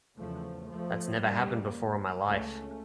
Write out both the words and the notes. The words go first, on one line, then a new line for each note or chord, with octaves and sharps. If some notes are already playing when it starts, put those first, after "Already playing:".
That's never happened before in my life.
E2 C#3 F3 A3
F3 A3
F2 C#3 G3 A#3
C#2 C#3 A3 C#4